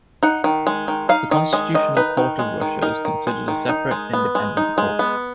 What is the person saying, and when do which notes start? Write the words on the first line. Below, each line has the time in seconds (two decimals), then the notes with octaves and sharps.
The Constitutional Court of Russia is considered a separate, independent court.
0.23 D#4 F#5
0.44 D#3
0.67 G#3
0.88 D#3
1.09 D#4 F5
1.31 D#3 D#5
1.53 G#3 D#5
1.74 D#3 D#5
1.97 D#4 B4
2.17 D#3
2.39 G#3
2.61 D#3
2.82 D#4 A#4
3.05 D#3
3.27 G#3
3.48 D#3
3.69 D#4
3.91 G#3
4.13 B3
4.35 G#3
4.57 D#4
4.78 G#3
4.99 B3